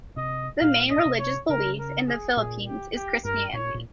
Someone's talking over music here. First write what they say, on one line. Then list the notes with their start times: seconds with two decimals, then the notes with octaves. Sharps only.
The main religious belief in the Philippines is Christianity.
0.16 C3 D#5
0.61 A#2 F5
0.90 D#5
0.98 A#2
1.05 C3
1.19 C#5
1.49 C#3 A#4
1.79 A#4
2.07 G#4
2.36 A#2 G#4
2.66 G4
2.96 G4
3.24 G2 A#4
3.53 A#2 C#5
3.75 A#2